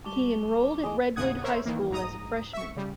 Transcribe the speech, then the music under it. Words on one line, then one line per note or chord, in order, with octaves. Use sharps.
He enrolled at Redwood High School as a freshman.
G3 A5 C#6 D6 G7
E3 A3 G#4 D#5 D6
D#2 A2 C#3 F#5 D#6 G#6
A#4 C5 C#5 E5
D#3 E3 A#3
A#1 G#2 A#5 D#6
E5 C#6
C#3 G3